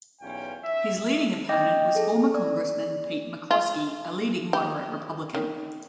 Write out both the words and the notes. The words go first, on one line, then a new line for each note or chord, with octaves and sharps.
His leading opponent was former congressman Pete McCloskey, a leading moderate Republican.
B1 E2 C#4 F4 C#5 G5
E5
D#5 G5 D6 G6 A#6
G#4 A4
D5
F4
G4
D#3